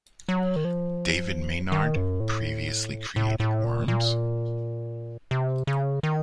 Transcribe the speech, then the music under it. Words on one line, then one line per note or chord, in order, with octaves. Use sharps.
David Maynard previously created Worms?
F#3
D#3
F3
D#3
F#2
A2
A2
A2
A#2
A#2
C3
C#3
D#3